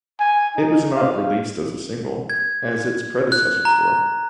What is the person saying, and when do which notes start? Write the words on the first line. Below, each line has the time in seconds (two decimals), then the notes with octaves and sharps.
It was not released as a single, as its predecessors were.
0.20 G#5
0.57 D#4
0.96 F5
2.30 G#6
3.32 F#6
3.65 A#5